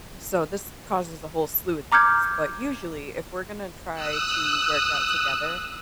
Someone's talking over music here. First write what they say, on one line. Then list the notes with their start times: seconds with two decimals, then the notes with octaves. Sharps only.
so, this causes a whole slew of things, but usually, if we're gonna try to work out together,
1.92 A#5 D6 F6 G6 G#6
3.93 D#6 E6 F#6